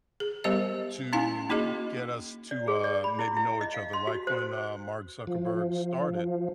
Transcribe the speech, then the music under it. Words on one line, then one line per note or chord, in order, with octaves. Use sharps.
to get us to, uh, maybe know each other, like when, um, Mark Zuckerberg started
G#4
G3 B3 G4 A#4 C5 D#5
C#4 D#4 E4 F5 G#5
A#3 D#4 F#4 G#4 D#5
D5
G#4
D5
B5
E4
E4
D#5
F5
C6
F#4
C5
F3